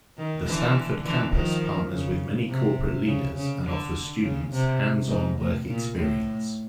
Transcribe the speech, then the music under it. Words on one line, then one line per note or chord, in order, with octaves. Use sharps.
The Stamford Campus partners with many corporate leaders and offers students hands-on work experience.
D#3
D3 E3
D3 E3
D#3 F3
C#3
C3
C#3
C#3
D3
C#3
C3
G#2
A2
A#2
A2